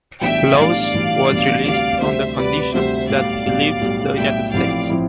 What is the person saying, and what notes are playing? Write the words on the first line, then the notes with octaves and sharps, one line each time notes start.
Laws was released on the condition that he leave the United States.
B1 A2 E3 G3 D4 E5 G5
B1 A2 E3 G3 D4 D5 F5
B1 A2 E3 G3 D4
B1 A2 E3 G3 D4
D2 C3 G3 D5 F5
D2 C3 G3 C5 E5
D2 C3 G3 B4 D5
D2 C3 G3 C5 E5
B1 A2 G3 D5 F5
B1 A2 G3
B1 A2 G3
B1 A2 G3 E5 G5
A1 A2 F3 C4 E4 D5 F5
A2 F3 C4 E4